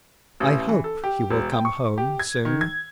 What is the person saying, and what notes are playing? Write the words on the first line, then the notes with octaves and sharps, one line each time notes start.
I hope you will come home soon.
A1
E3
A4
G4
E1
G5
C#6
G4
G#6
D#3
G#6